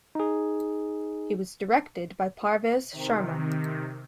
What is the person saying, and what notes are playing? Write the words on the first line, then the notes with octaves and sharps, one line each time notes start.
It was directed by Parvez Sharma.
D#4 G#4
C3 D#3